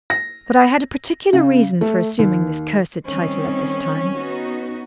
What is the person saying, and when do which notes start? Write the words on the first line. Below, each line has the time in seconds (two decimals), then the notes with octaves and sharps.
But I had a particular reason for assuming this cursed title at this time.
0.10 A#6
1.33 C#3
1.81 A3
2.19 D#2
3.05 D#3 G3 C4 C#4
4.15 B3 D#4 F#4